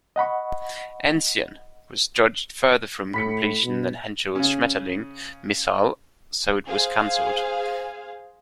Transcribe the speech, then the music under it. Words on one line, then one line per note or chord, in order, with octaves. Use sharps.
"Enzian" was judged further from completion than Henschel's "Schmetterling" missile, so it was cancelled.
D#5 F#5 B5 C#6
A2 B5 B6 C#7
B2
C#3 C#4
G#4 C5 F5